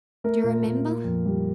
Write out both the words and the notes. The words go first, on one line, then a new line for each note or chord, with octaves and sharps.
"Do you remember?"
A3 A#4
A#2
A#2
A#3
F2
G3